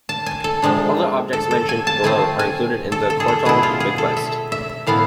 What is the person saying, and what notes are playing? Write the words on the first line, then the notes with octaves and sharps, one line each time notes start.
All the objects mentioned below are included in the Courtauld bequest.
A5
G#5
A4
C3 F3 G#3 D4
A4
A4
G#5
A5
F3 A3 C4 G#5
G#5
A4
A4
G#4
A4
B2 B3 E4 G#4
F4
G#4
A4
E5
E5
A2 E3 B3 E4 F5